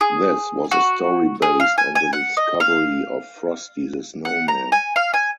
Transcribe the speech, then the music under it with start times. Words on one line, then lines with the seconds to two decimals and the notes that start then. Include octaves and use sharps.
This was a story based on the discovery of Frosty the Snowman.
0.01 G#4
0.71 F#4
1.42 G#4
1.60 F5
1.78 G#5
1.95 G#5
2.13 F#5
2.37 D#5
2.60 F5
4.25 F#5
4.48 A#5
4.72 G#5
4.96 F5
5.14 G#5